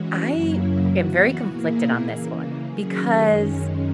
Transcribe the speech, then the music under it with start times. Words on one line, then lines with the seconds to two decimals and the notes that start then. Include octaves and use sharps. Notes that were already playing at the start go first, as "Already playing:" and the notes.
I am very conflicted on this one, because
Already playing: E3 G#3 C#4 F#4
0.28 F#2 C#3 F#3 A#3 E4
0.86 E3 B3 F#4
1.45 A#2 A#3 E4 G#4
2.04 C#3 E3 A#3
2.63 D#3 F#3 C#4 G#4
3.23 F#2 D#3 G#3 C#4